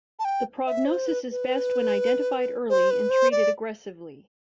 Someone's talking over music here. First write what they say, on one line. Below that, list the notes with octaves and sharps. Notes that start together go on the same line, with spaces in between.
The prognosis is best when identified early and treated aggressively.
A5
G5
E5
C5
B4
B4
C5
B4
C5
D5